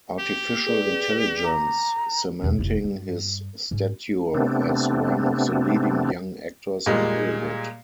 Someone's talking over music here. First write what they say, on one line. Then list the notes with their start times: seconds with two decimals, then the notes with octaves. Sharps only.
Artificial Intelligence, cementing his stature as one of the leading young actors in Hollywood.
0.19 G4
0.67 G#4 B4 D5
1.45 A#5 D6
2.42 E2 B2
2.58 F1 E4
2.84 G2
3.71 G#2 C#4
4.34 C3 A3 B3 C4 D4
6.86 A#2 G3 G#3